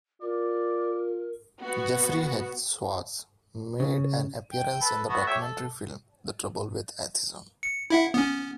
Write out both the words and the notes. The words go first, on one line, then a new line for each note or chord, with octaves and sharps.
Jeffrey H. Schwartz made an appearance in the documentary film "The Trouble with Atheism".
F4 A#4 D5
B3 F#4
C#3
G5
A4 B4
A3 B3 F#4
G4 C#5 E5
A4
C#7
E4 E5 F#5
B3 C#4